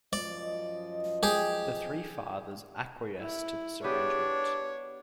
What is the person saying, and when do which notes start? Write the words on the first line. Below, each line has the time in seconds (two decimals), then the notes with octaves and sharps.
The three fathers acquiesce to this arrangement.
0.13 F#2 F3 D5 D#5
1.23 G4 G#4
3.18 E4
3.84 B3 D4 G4 C#5